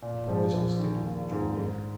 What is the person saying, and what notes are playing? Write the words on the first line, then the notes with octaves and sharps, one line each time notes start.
The boys instinctively drew near.
A#2
F3
A#1
D#3
A#3
G#2
G#2